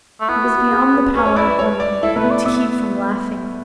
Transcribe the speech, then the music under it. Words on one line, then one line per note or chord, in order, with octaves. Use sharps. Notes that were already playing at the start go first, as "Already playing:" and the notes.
It was beyond the power of woman to keep from laughing.
A3
B3 E4
F#4
F#4
G#4
B4
C#4 B4
C#5
E4 D5
B4
C#5
D5
E4 A4
A3 B4
B3
D5
B3 E5